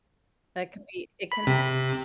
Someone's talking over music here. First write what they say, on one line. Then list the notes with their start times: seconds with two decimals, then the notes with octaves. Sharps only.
That can it can
1.32 B5
1.47 C3